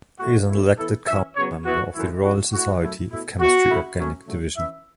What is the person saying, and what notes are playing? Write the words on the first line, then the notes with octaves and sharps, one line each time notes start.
He is an elected council member of the Royal Society of Chemistry organic division.
B2 A3 E4 F#4
B2 A3 C#4 E4
E3 B3 E4 A4
F#2 E3 C#4 E5
C#3 F#3 B3 C#5
E3 B3 E4 F#4
F#2 E3 A3 E4
E3 C#4 E4 F#4
A2 A3 E4 F#4
F#2 F#3 A3 E4
B2 A3 E4
B2 B3 E4 F#4
C#3 A3 E4
F#2 F#3 A3 C#4
F#2 C#3 F#3 A3
E3 C#4 E4 E5